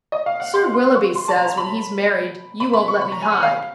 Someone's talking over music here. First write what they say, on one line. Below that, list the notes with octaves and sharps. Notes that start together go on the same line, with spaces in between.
"Sir Willoughby says, when he's married, you won't let me hide."
D#5
F5
F#5
C6
C6
C#6
C6
A5
A#5
B5
B5
B5
C#6
B5
A#5
G#5
F#5
F5